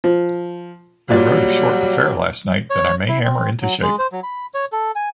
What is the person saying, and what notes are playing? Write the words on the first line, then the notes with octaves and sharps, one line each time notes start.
I wrote a short affair last night that I may hammer into shape.
F3
A#2 F#3 G3 D5
C#5
E4
C4
F#3
G#3
C5
F#3
B5
C#5
A4
G#5